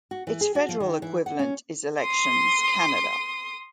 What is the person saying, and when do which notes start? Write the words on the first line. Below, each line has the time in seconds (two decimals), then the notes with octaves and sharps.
Its federal equivalent is Elections Canada.
0.11 F#4
0.27 E3
0.41 G#4
0.55 F#4
0.69 F3
0.80 D#3
1.02 E3
1.26 F#5
1.39 C#4
2.01 C6 D#6